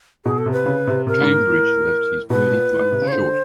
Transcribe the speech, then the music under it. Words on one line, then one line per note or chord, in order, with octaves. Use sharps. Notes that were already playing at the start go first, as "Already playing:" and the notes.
Cambridge left his birdie putt short.
B2 G#4
A4
C3
B4
C#3
C3
C3 A#4
G#2
A2
B2 B4
A#2
A2
G#2
C3
C#3
C#5
D3 C5